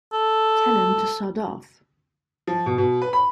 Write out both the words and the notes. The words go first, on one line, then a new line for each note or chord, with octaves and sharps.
Tell him to Sod Off!
A4
F3
B2
B2
B4
B5